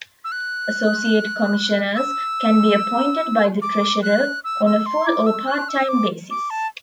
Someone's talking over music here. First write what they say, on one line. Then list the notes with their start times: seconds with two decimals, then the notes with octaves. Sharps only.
Associate Commissioners can be appointed by the Treasurer on a full or part-time basis.
0.24 E6
0.32 F#6
1.96 E6
3.62 D6
4.03 F#6
4.44 E6
4.66 E6
4.86 C6
5.07 D6
5.26 E6
5.47 F#6
5.69 E6
5.89 D6
6.31 D6
6.50 A5